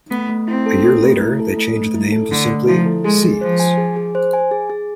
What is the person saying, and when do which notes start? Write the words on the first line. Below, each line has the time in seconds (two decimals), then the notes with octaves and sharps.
A year later, they changed the name to simply Seize.
0.11 A3 B3
0.29 A3
0.48 C4 E4
0.66 A4
0.84 A3
1.02 A3
1.21 E4
1.40 A4
1.58 A3
1.76 A3
1.94 E4
2.12 A4
2.31 D3 A3
2.49 A3
2.68 F3 E4
2.86 A4
3.04 G#3 G#4
3.23 G#4
3.41 F3 C5
3.60 G#5
3.78 G#4
3.96 G#4
4.15 C5
4.33 G#5
4.51 G#4
4.70 G#4